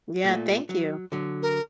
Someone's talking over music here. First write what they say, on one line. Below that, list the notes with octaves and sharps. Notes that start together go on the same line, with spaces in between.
Yeah, thank you,
A#2 A3
F#3
D3 F#3
A#4